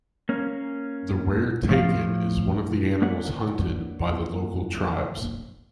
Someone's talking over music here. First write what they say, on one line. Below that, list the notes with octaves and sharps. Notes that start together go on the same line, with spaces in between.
The rare takin is one of the animals hunted by the local tribes.
A#3 C#4
A2 F3 F5
A#3 D4 B4 C#5 F#5